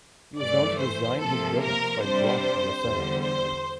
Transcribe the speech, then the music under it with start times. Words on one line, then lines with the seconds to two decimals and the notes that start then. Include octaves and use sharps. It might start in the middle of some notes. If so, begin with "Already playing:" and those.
He was known to design his buildings by drawing in the sand.
0.38 G2 E3 A3 D5
0.79 C5
1.19 C3 F3 A#3 A4
1.60 A#4
2.00 C3 G3 D4 C5
2.81 E2 D3 G3
3.22 C5